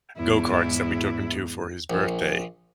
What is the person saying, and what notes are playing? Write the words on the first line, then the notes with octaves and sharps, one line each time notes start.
go-karts that we took him to for his birthday.
E2 G#2 E4
A#1